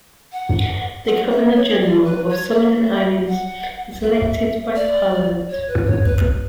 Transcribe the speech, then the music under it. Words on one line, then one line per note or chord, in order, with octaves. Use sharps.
The Governor-General of Solomon Islands is elected by parliament.
F#5
F#5
E5
C#5
D5
B4
C#5
E5
F#5
E5
D5
C#5
B4
C#5
B4